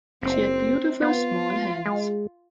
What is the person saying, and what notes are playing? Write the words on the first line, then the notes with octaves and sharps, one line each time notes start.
She had beautiful small hands.
F#1 C4
B3 F4
G#3